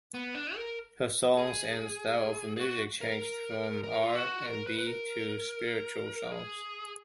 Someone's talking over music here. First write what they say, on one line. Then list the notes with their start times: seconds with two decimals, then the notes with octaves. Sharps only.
Her songs and style of music changed from R and B to spiritual songs.
0.14 B3
0.35 D4
0.55 A#4
1.37 G#4
2.56 G#4
2.61 F#4
3.01 A#4
3.84 A#4
4.03 F4
4.15 F#4
4.46 A#4
4.67 B4
4.78 B4
4.87 A#4
6.32 G#4